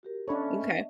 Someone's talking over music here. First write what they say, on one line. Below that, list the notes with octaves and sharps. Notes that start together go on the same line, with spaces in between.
n okay.
F#4 G4 A#4
B3 C#4 D4 A4 C#5 D#5 E5 B5